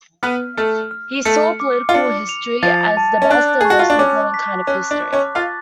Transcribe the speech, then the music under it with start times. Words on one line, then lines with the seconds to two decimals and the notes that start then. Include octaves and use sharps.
He saw political history as the best and most important kind of history.
0.23 B3 B4 F6
0.57 A3 A4 F6
0.91 F6
1.25 A3 A4 C#7
1.60 D6
1.89 F4
1.94 D4 C#7
2.29 F7
2.63 F3 F4 A6
2.97 A5
3.22 C#4
3.31 D4 F#6
3.61 G#4 C#6
3.70 F#4
3.79 F4
3.90 D4
3.99 C#4 D6
4.34 B6
4.67 C#4 F#6
4.91 D4
5.01 D6
5.13 C#4 C#5
5.35 F4 F5 A6